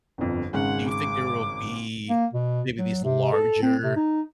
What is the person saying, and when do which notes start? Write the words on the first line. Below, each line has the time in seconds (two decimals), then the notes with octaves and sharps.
do you think there will be maybe these larger
0.18 G1 F2
0.53 G#1 C#3 G#3 F#5
0.88 D6
2.09 A#3
2.33 B2
2.78 F#3
3.04 C3
3.32 A4
3.62 C4
3.84 C3
3.96 D#4